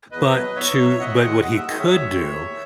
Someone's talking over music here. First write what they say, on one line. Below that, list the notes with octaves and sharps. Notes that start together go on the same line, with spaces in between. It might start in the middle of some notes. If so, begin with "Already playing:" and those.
But to but what he could do,
E2 B4 D#5
B2 F#3
E2 C#5 E5
B2 F#3
D#2 D#5 F#5
D#3 G#3
D#2 F#5
E5
D#3 G#3 D#5
C#5 E5
D#2
D#3 G#3
D#2